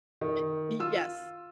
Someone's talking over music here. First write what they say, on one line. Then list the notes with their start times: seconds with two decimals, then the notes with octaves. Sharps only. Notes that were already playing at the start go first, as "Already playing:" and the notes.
Eh y yes.
0.21 D#3
0.79 F4 E6